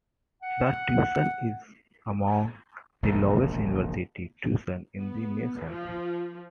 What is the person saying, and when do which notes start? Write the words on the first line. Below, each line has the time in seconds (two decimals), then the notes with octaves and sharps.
The tuition is among the lowest university tuition in the nation.
0.43 F#5
3.03 E1 A#1 G#2 C#3
4.99 B3
5.68 F3